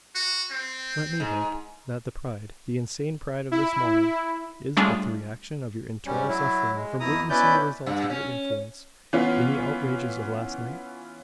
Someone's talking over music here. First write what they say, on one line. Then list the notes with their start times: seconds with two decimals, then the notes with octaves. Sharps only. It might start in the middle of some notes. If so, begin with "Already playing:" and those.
Let me hope, that the pride, the insane pride of this morning, is but the reaction of your internal suffering from witnessing the results of your influence in the outrages of last night.
0.15 F#4
0.51 C4
1.20 G#2
3.51 E4
4.77 G3 A3 C#4 D4 F4 G#4
6.06 G#2 G3 C#4
6.28 F#3 E4
6.75 G#3
7.00 F2 B2 E4 A#5 D#6
7.29 B2 C#4 E4 B4 D5 G6
7.86 G2
8.10 C#4
9.13 E3 B3 C#4 F4